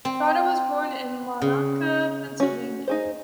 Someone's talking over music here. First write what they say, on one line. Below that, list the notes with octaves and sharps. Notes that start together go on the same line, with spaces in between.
Trotter was born in Monaca, Pennsylvania.
C4
C#3
C#4 F#4
D#4 G#4 C5